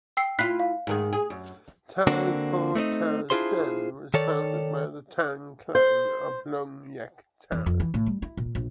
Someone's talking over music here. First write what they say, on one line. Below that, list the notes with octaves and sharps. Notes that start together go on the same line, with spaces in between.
Tai Po Tau Tsuen was founded by the Tang clan of Lung Yeuk Tau.
G5 E6 C7
E4 F4 F#6 B6 C7
F5
G#2 D#3 G#4
G#4
F#2
D3 A#3 C4 D4 F#4
A3 C4 D4 D#4
D4 E4 F4 G#4 C5 C6
D#3 A4 C#5 D5
C5
E2
F2
E3
A2
G3
E4
A#2
A#1